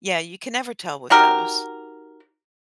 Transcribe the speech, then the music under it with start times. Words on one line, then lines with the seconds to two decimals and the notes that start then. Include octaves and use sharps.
yeah, you can never tell with those,
1.10 D#4 F#4 G4 A#4